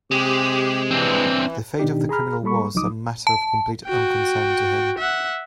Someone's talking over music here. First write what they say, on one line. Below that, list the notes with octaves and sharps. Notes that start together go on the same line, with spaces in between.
The fate of the criminal was a matter of complete unconcern to him.
C3 G#3 G4
E3 C4 D4
B2 D#3 D4 D#4 G4
G#4 A#5 B5 F6
G3 A#3 A4 B5 C#6
C#2 F3 F#3 D#4 D6 D#6
A5
F#4 G5
E5 F#5